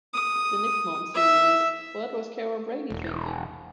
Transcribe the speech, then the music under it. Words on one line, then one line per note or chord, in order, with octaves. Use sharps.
The NickMom series What Was Carol Brady Thinking?
D#6
E5
E1